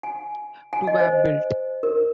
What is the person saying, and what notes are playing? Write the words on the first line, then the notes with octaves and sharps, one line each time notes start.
Two were built.
G#5
G#5
D#5
C5
A#4